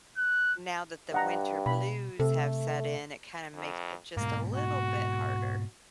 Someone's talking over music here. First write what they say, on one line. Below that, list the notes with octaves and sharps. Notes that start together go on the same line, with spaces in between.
now that the winter blues have set in, it kinda makes it just a little bit harder.
F#6
G2 D#5 F#5 A#5
B2 B5
C3 A3 A4
F2
G#2 B2 A#3
F#4